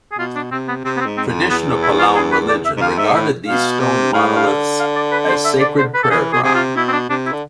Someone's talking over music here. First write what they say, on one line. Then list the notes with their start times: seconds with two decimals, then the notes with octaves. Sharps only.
Traditional Palaun religion regarded these stone monoliths as sacred prayer ground.
0.12 G#4
0.18 B2 F4
0.35 D4
0.51 C3 C4
0.68 B3
0.84 C3 C4
0.96 B3
1.00 C4
1.06 G#2
1.17 C4
1.27 F2
1.50 E2 B3
1.83 E4
1.99 F4
2.15 G#4
2.32 B4
2.49 D5
2.65 E5
2.77 G#2
2.81 F2 F5
2.98 G#2 E5
3.14 A2 E5
3.47 B2 F5
3.80 C3
4.13 A2 F5
4.36 F5
4.46 D3
4.80 F5
4.96 D5
5.12 B4
5.29 C5
5.44 E5
5.61 D5
5.78 C5
5.94 B4
6.03 A4
6.10 E3 G#4
6.33 B2 G#4
6.43 C3 G#4
6.54 F4
6.76 B2 E4
6.88 C4
6.92 D4
7.09 C3 D4
7.26 E4
7.33 D3